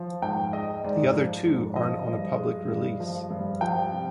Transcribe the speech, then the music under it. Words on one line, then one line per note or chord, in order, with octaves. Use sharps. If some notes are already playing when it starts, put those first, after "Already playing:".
The other two aren't on a public release.
Already playing: F3
G#2 G5
G#3 D#5
G#2 D5
F3
G#2
F3 D#5
G2
G#3
G2
F3
G2
F3 G5
C3